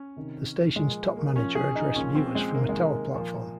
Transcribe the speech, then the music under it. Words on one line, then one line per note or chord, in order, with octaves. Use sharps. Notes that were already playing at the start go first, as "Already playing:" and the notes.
The station's top manager addressed viewers from a tower platform.
Already playing: C#4
C3 D#3
A#2 F3 G#3
A#3
A#2 F3 C#4
G#4
D#4
A#2 F3 C#4
C4
G#3
C3 D#3 A#3
G#3
A#3
A#2 F3